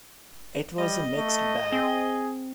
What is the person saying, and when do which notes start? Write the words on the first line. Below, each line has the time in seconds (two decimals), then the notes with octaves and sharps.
It was a mixed bag.
0.79 G3 D#5
1.16 A3
1.72 C4 G#4